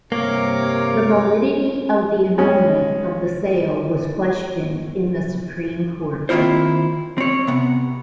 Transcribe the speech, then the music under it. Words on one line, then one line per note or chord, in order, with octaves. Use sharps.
The validity of the annulment of the sale was questioned in the Supreme Court.
G2 C3 A#3 A#4 C#5 D6
G#3 C#4
D#3 A#3 C4 E4 F4 C5
C4 C#5
C3 B3